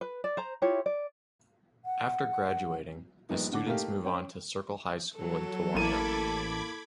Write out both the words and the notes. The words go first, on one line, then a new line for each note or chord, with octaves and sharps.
After graduating, the students move onto Circle High School in Towanda.
B4
D5
C5 A#5
E4 F4 G4 C#5
D5
F#5
A#1 G2 B3 D#4
D3 F#5 D6
A3 A#3 D#4 G4 F5
C#4 C#5 G5
F#3 A4
A1 A#3 E4 A5 B5 D6 G#6 D#7